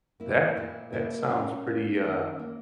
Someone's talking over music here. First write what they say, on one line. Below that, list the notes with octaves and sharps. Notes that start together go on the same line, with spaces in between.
that that sounds pretty, uh
A#3 E4
A#2 E4
A#3 E4
A#2 C#4
A#3
D#3
A#3